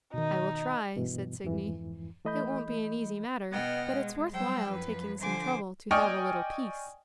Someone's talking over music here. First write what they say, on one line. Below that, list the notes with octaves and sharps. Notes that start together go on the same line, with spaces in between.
'I will try,' said Signy; 'it won't be an easy matter, but it's worth while taking some trouble to have a little peace.'
B2 D#3 D#4
G2 B2 E3
F2 G#2 E3
E3 A3 D#5 B5 G6
B2 B3 D#5 F#5 G5 F6
G#3
F#3 G3 C5 G5 E6
F#2 F3 B4
D3 F3 C5 G#5 D6
D5 D#5 G5 G#5 C#6 F6